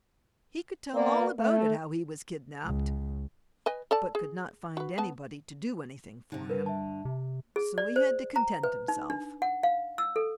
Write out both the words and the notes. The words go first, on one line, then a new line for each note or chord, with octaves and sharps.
He could tell all about how he was kidnapped, but could not find anybody to do anything for him, so he had to content himself.
A#3 B3 D5
A3
C#2
B4 D#5 G#5
A4 D5 A5
G#4
F#4 B4
B3 A5
G2 D3 D#4
A#4 B4
E5 A5
C3
G#4
D5
C5
A#5
B4
D#4
D4
F#5
F5
E6
A4